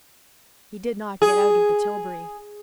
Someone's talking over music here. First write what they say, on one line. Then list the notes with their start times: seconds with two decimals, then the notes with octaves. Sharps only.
He did not get out of the tilbury.
1.22 G#4